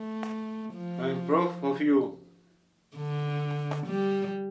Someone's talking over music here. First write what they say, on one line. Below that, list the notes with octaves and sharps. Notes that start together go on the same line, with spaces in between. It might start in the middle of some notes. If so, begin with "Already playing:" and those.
I'm proud of you.
Already playing: A3
F3
D3
G3